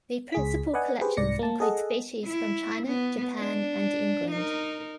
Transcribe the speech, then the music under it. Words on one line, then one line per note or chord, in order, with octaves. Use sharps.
The principal collections include species from China, Japan, and England.
C#2 G#4 B6
B4 D5 D#5 F#5 G#5
G4 G#4 B4 C5
C2 G#2 D5 A#6 C#7
A#3 A5
G#4 A4 D#5 F#5
E4
B3
D4
D#4 A#4